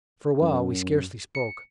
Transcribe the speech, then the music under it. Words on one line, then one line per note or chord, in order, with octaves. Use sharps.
For a while we scarcely spoke.
F#2
C#7